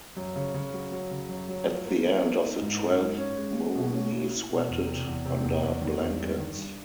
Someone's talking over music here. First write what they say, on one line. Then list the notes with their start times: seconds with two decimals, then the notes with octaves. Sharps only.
At the end of the twelfth moon he sweated under blankets.
0.17 F#2
0.36 C#3
0.54 C#3
0.73 F#3
0.92 F#3
1.11 C#3
1.29 F#2
1.48 F#3
1.67 F3
1.86 A#3
2.05 F3
2.24 A#3
2.43 D#4
2.61 G#2
2.80 D#4
3.00 G#2
3.18 C#4
3.37 G#3
3.56 G#3
3.75 B2
3.93 C#4
4.12 E4
4.31 E4
4.50 B2
4.68 E2
4.87 C3
5.07 E2
5.25 C3
5.44 E2
5.63 E2
5.81 D#3
6.00 E2
6.20 G2
6.38 D#3
6.57 G2